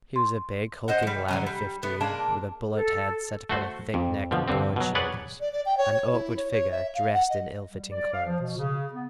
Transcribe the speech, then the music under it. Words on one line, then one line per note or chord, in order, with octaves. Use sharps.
He was a big, hulking lad of fifteen, with a bullet head set upon a thick neck and broad shoulders--an awkward figure dressed in ill-fitting clothes.
C6
C5 D#5 F#5
F3 G3
D3 F#3 C#4
G3
A3 B3
G#3 A#3 D4
A4
A3 F#4 C5
F2
B2 D3 F3
G2 D3 C4
B2 F#3
G#4 B4 C#5 D5 F#5
D5
D5
G5
C#5
C#5
E4
C#5
C#5
E5
F5
F#5
D#5
G3
D5
F5
F3
B2
C#3
B3